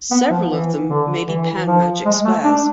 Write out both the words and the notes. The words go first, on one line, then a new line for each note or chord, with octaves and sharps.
Several of them may be panmagic squares.
B3
F3
E3
D3
E3
F3
G#3
A3
D4